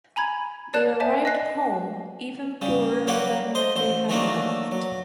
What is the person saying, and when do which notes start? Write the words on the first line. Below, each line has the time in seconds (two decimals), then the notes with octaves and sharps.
They arrived home even poorer than when they had left.
0.16 G#5 A#5 B5 G#6
0.74 C#5 D5 A5 F#6 E7
1.00 C5 D5 E5 G#5 A5
1.25 D#5 G#5 F#6 C7
2.61 C#3 G3
3.07 F#3 G3 A#3 F#4 G4 B4
3.55 C5 D#5 C6
3.76 A1 C5
4.09 D#3 E3 F#3 A3 A#3 D4
4.71 F#3